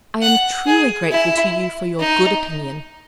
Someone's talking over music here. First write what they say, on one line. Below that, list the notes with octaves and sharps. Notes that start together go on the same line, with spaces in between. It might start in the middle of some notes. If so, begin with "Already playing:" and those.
I am truly grateful to you for your good opinion.
F#5
G#4
E4
D#4